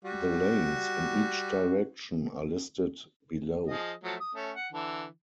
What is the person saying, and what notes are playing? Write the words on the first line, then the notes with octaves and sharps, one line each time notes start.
The lanes in each direction are listed below.
G3 F#4
F3 G#4 D#5
F3 F#3 A3
D#6
A3 C#4
F#5
D3 E3